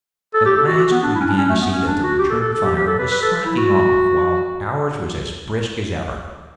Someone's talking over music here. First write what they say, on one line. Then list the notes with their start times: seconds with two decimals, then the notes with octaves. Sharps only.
At last we began to see that the return fire was slacking off, while ours was as brisk as ever.
0.34 A4
0.45 G4
0.57 A4
0.68 F#4
0.79 F#4
0.91 B3
1.03 D4
1.15 E4
1.20 C#4
1.26 D4
1.38 C#4
1.49 A3
1.61 B3
1.71 C#4
1.87 D4
2.03 F#4
2.19 G4
2.30 A4
2.41 A4
2.53 A4
2.65 G4
2.76 G4
2.87 A4
2.98 B4
3.11 B4
3.22 A4
3.45 E4
3.57 F#4